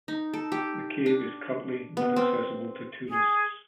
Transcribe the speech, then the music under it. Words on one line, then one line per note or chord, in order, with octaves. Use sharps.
The cave is currently not accessible to tourists.
D#4
A4
G4
D4
B3
C4
G#4